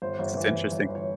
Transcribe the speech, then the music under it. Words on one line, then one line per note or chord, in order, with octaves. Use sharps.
This is interesting.
G1 C5
G1
E3
G1
G1
G1
C#5